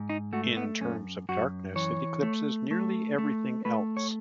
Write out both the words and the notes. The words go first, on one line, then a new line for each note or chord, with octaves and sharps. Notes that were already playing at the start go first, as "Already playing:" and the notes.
In terms of darkness, it eclipses nearly everything else.
Already playing: G#2
D#4
A3 F#4
B3
F#2 C#4
F#2 F#4
E3 C#5
A3
A3
A3
A3 B4
C#5